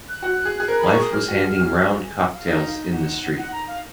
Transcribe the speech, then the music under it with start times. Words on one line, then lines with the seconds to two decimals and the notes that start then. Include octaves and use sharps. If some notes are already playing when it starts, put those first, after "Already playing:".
Life was handing round cocktails in the street!
0.09 F#6
0.23 F#4
0.45 G#4
0.60 G#4
0.68 A#4
0.78 G#4 B5
0.90 C#6
0.98 G#4
1.01 D#6
1.12 G#4 F6
1.28 F#4
1.43 G#4
1.58 F#4
2.03 G#5
2.17 F#5
2.33 F5
2.48 D#4
2.92 F#5
3.38 F#5
3.52 A#5
3.67 F5